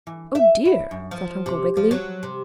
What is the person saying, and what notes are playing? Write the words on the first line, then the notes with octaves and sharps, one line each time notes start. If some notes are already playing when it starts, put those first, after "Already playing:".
"Oh, dear!" thought Uncle Wiggily.
E3
E5
E4
F#2
F3
C3
F3
F#3
C3